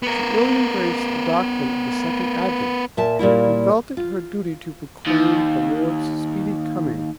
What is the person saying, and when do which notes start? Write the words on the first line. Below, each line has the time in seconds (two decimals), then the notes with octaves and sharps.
She early embraced the doctrine of the Second Advent, and felt it her duty to proclaim the Lord's speedy coming.
0.03 B3 A#4
2.97 A#2 E5 A5
3.19 A#2 G3 A#3 E4
3.97 F4
5.07 D#2 D#4